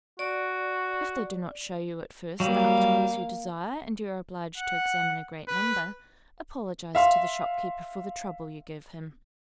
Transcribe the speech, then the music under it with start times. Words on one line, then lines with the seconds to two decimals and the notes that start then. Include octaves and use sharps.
If they do not show you at first the articles you desire, and you are obliged to examine a great number, apologize to the shopkeeper for the trouble you give him.
0.19 F#4 D5
2.40 F#3 G3 A#3 F5
4.57 F#5
5.48 B4
6.95 E5 F5 C6